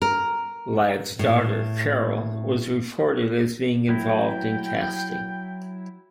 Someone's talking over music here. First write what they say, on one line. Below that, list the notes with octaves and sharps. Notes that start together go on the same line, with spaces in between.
Ladd's daughter Carol was reported as being involved in casting.
A#4
A2
F#3 E4 G5